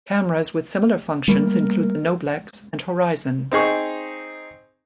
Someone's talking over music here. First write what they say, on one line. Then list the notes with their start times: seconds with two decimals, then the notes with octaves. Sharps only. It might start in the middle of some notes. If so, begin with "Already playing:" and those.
Cameras with similar functions include the Noblex and Horizon.
1.28 G3 A3 A#3 A#4
3.52 C4 D#4 G#4 C#6